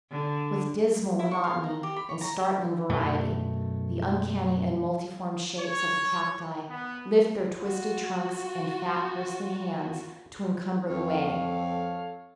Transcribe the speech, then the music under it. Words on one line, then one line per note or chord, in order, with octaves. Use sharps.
With dismal monotony and startling variety the uncanny and multiform shapes of the cacti lift their twisted trunks, and fat, bristly hands to encumber the way.
D3
E4
C#6
F5
A#5
G4
B5
C#5
A#5
F#2 B2 A3
C#5
B3
F4 F#4
F2 A4 C#5 F5